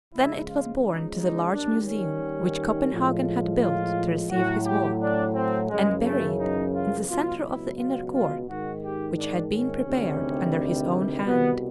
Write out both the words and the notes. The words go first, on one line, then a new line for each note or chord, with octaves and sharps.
Then it was borne to the large museum which Copenhagen had built to receive his work, and buried in the centre of the inner court, which had been prepared under his own hand.
C#2 C#3 F3 G#3 E4
F4
D#4
D#4
D#2 D#3 G3 D4
C#4
A2 F3 G#3
F4
A2 F#3 F#4
G4
D4
C4
F#2 C#3 E3 G#3
A3
D#4
F4
C#2 B2 F#3 F4
E4
F4
F4
G#2 D#3 G#3 F#4
G4
D4
C#4
D2 C3 D#3 G3
C2 B2 G3 B3